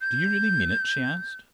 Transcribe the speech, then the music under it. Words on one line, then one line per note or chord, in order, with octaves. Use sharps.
"Do you really mean it?" she asked.
G6